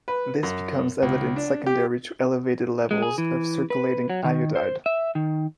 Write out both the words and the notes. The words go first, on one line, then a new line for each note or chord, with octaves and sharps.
This becomes evident secondary to elevated levels of circulating iodide.
B4
F#2
C#2
D4
G4
G#3
G#4
E3
B4
F#3
D#3
C5
E5
D#3